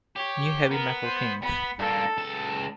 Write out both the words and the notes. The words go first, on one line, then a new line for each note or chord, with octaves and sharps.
New Heavy Metal Kings.
G4 C#5
B3 A#4
C5
B3 B5
G2 A#3 A4
C#2 A5